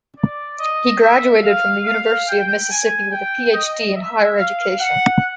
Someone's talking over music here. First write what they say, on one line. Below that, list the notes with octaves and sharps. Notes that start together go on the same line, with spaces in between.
He graduated from the University of Mississippi with a PhD in higher education.
D5
D#5
E5
F5
F5
G5
G#5
G5
D#5
E5
F5
F#5